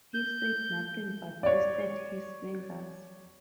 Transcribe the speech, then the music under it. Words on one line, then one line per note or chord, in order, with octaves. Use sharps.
He said nothing, but twisted his fingers.
G6
C#5 D5